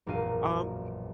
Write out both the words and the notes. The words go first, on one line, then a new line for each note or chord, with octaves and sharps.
Um, y
E1 A#1 F#2 A#4 F5 D#7